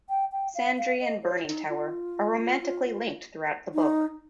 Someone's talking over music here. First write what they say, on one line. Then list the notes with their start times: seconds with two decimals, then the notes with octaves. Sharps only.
Sandry and Burning Tower are romantically linked throughout the book.
0.09 G5
0.32 G5
0.55 F5
0.78 F5
1.01 D#5
1.23 C#5
1.47 D#4
1.69 F4
3.74 D#4